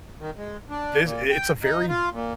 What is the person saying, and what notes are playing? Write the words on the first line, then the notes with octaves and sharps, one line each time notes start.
this it's a very
D#3
G#3
D4
A#2
G5
D#4
F4
A#2